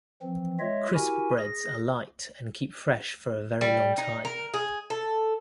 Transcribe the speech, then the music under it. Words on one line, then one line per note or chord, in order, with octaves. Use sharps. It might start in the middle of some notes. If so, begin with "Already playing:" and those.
Crispbreads are light and keep fresh for a very long time.
E3 F3 C4
G#3 F4 C#5 D#5 E5
E4 F#4 G4 A#4 G#5
G#4 A#6
G3
D#4
A#4
G#4
A4